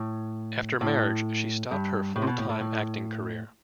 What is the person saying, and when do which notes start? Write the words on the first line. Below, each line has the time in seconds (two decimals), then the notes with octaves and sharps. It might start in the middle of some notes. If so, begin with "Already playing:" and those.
After marriage, she stopped her full-time acting career.
Already playing: A2
0.81 A2
1.71 G2
2.16 A2
2.22 C3
2.27 B2
2.38 A2
2.49 A2
2.61 A2